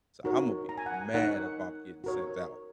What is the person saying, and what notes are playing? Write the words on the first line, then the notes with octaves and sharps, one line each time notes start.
So I'm gonna be mad if I'm getting sent out.
D#4 F#4 A#4 C#5
A#5
G#5
F#5
G#5
D#4 A#4 C#5 F#5
F#4 A#4 C#5